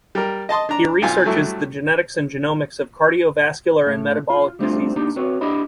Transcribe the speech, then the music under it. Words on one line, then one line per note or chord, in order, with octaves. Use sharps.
He researches the genetics and genomics of cardiovascular and metabolic diseases.
G3 A#4
D#5 A5 C6 D#6
D4 A#5
B1 F4 G#5
G2 F#3 A3 E4
A2 A3
F4
G3 A3 C4 D4 D#4 F4
A#3 D4 D#4 G4
C4 F#4 B4 C#5
D4 E4 G4 D#5 B5